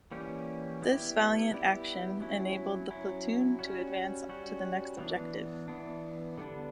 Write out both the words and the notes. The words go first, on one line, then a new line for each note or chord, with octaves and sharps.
This valiant action enabled the platoon to advance to the next objective.
E3 G3 A#3 C#4 G4
G3 B3 E4 G4
G3 B3 E4 G4
F#3 C#4 E4
F#3 C#4 E4
G3 C#4 F#4
G3 C#4 F#4
E3 B3 D4
E3 B3 D4
D3 G3 B3 D4